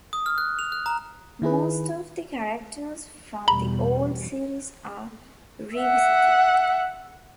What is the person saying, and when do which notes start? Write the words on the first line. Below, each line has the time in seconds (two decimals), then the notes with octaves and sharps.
Most of the characters from the old series are revisited.
0.13 D#6
0.26 F6
0.38 F#6
0.59 F7
0.72 F#6
0.86 A#5
1.42 D#3 E4 G#4 B4
3.48 E2 B2 G3 A#5 B5
5.77 E5 F#5